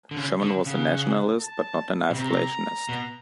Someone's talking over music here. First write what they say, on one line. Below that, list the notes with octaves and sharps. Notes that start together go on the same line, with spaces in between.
Sherman was a nationalist, but not an isolationist.
D3
C#3
D3
C#3 F#5
A5
B2
C3 A#5
B2